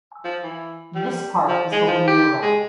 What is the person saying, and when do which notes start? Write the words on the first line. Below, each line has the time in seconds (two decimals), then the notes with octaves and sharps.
This park is open year round.
0.24 F3
0.43 E3
0.95 G3
1.48 F3
1.72 G#3
1.88 F3
2.07 G4
2.42 G#3